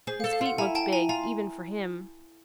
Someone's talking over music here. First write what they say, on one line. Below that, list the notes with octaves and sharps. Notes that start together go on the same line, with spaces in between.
His feet looked big, even for him.
G#4 C5
F5
A4
F5
F4 F#5
E4 G#5 A#5
G5 A5
G#5 A#5
F4 G#5 A#5